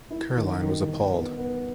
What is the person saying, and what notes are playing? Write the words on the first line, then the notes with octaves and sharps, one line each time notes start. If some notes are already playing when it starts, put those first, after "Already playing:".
Caroline was appalled.
E4
D#3
D#3
D#3
B3
B3